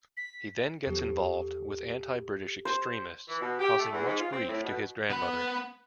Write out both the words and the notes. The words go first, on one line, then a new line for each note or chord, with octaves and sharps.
He then gets involved with anti-British extremists, causing much grief to his grandmother.
B6
E2 F3 G4 A4
C5
E3
B2
G4
A3
E2
G#2
F4
C4
A2
B2
B3 B5